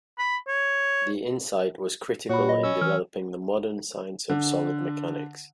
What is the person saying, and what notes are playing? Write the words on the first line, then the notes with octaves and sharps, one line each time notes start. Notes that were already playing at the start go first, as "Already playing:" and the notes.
The insight was critical in developing the modern science of solid mechanics.
B5
C#5
A#2 F#4 C#5 B5
D#5
C#4 E6
E3 F6
D3